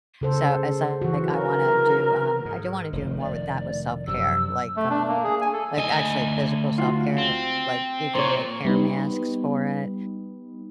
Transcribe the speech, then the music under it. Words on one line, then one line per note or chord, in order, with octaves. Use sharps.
so as I like, I wanna do, um I do wanna do more with that with self-care, like, um, like actually physical self-care, like, you can make hair masks for it,
C#3 A4 C5
E3 F#4
A#4
G#2
F1 A2 D#3
D5
F#2 C3 F3 E6
A3
D4
A#3
G#4
G#5
A4
D2 D#5 G#5
F4 F#4
C4
A#2 C5 C#5
G3 B3 D#4